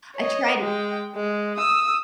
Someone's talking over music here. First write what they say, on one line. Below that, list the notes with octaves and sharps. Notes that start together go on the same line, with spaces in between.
I tried t
C#5 D#5
G#3 G5
G#3
D#6 E6